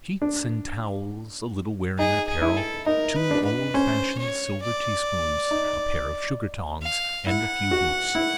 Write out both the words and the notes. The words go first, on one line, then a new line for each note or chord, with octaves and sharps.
Sheets and towels, a little wearing apparel, two old-fashioned silver teaspoons, a pair of sugar-tongs, and a few boots.
D4
D#4 G#4
G#4
E4
A4
D#4 A#4
B4
D4
B4
C#4 C5
C#5
D5
D#4
F5
E4 F#5
F#4
E4